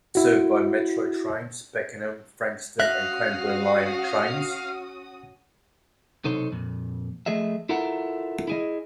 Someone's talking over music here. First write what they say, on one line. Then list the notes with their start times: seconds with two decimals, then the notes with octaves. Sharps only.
It is served by Metro Trains' Pakenham, Frankston, and Cranbourne line trains.
0.15 E4 F#4
2.80 C#4 F#4 E5 F5 D#6 F#6 A#6
6.25 B1 C3 D#4 A4 C5 C#5
6.52 F2 A#2
7.26 F3 A3 G#4 D#5 E5
7.69 E4 F4 A4 A#4 E5 F#5
8.48 E4 G#4 D#5